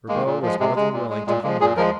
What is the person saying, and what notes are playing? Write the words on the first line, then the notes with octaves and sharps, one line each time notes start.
Ribaut was more than willing to humor them.
D#3 G#3 A#3
A#2
F3 G#3
C3 G#3
G#3
A#2
G#3
A#2 G#3
F3 G#3 A#3
A#2 G#4
F3 G#3 A#4